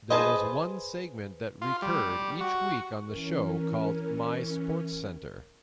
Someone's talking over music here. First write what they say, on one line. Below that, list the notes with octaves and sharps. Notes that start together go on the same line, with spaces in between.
There was one segment that recurred each week on the show called My SportsCenter.
G#4 B4 C5 D#5 G#5 A5
F4
G3
G3
F#4
E3 C#4 A#4